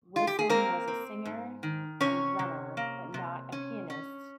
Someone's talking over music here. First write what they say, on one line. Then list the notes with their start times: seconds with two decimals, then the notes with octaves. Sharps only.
Wilson was a singer and drummer, but not a pianist.
0.16 F4
0.27 G4
0.39 G#4
0.50 A#3 C4 A#4
0.87 C4
1.25 G#2
1.63 D#3
2.01 C3 C#4 C#5
2.39 C3
2.77 A#3
3.14 C3
3.52 C#4
3.90 C#4